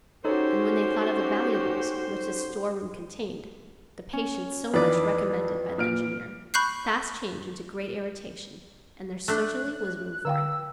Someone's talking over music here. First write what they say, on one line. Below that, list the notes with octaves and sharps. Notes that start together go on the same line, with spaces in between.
And when they thought of the valuables which this storeroom contained, the patience so much recommended by the engineer, fast changed into great irritation, and there certainly was room for it.
C#4 D#4 F#4 G4 A4 C5 C#5
C#4
F2 D#3 E3 B4 D5
A#2 F6 D7
B5 C#6 F#6 G6 C7
A3 D4 F#6
D3 F5 G5 E6